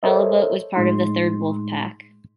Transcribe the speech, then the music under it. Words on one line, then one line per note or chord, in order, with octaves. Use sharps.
"Halibut" was part of the third wolf pack.
A4 A#4 C5 C#5 D#5 E5
A2 G#3 D#4 C6